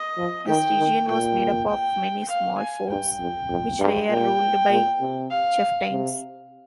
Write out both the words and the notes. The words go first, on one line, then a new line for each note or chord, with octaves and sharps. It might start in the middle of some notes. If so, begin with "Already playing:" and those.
This region was made up of many small forts which were ruled by chieftains.
Already playing: D#5
F3
D#3 G5
D#3
A#2 G5
G5
F5
G#5
G2 G5
F2
F2
G2
A#2 G5
A#2
C3
F5
C3